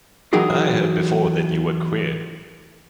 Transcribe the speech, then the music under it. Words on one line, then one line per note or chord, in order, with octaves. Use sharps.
I heard before that you were queer.
E3 F#3 D#4 G4 G#4 A#4